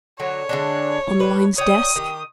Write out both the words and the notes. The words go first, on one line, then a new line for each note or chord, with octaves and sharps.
"On Lyne's desk?"
D3 F#3 C#5
D3 G#3 D4
A2 D4 B4
C#5 D5 G5 D#6
D#3 G4